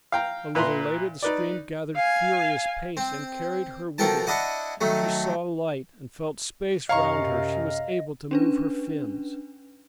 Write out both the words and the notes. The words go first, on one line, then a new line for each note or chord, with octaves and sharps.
A little later the stream gathered furious pace and carried her with it; she saw light and felt space round her; she was able to move her fins.
F5 G5 A#5
A#2 B4 E5 A#5 C6
D#4 B4 D5
F5 G#5
C4
B2 F3 A4 A#4 G5 A5
D4 E4 D#5 F#5
D#3 F#3 A3
F#2 C3 C#5 D#5 F5 A#5 C#6
C#4 D4 B4